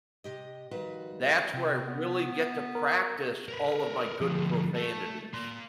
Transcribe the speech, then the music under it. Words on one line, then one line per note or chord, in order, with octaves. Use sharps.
that's where I really get to practice all of my good profanities
C3 G4 D#5
D#3 F3 G3 F#4 B4
C3 C4
B3
A#4
A#4 B4
D2 F3
A3
A#3 C6